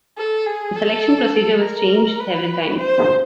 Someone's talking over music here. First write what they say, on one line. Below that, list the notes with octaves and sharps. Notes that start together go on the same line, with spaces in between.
The selection procedure was changed several times.
A4
G#4
A4
A#4
B4
C5